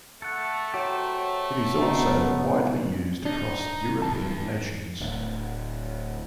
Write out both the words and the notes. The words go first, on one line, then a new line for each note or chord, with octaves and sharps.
It is also widely used across European nations.
A3 A4 F#5
F#3 G4 C5 D6
C#3 B3 D#4 A#5 C#6
D4 D#4
E2 A5
D1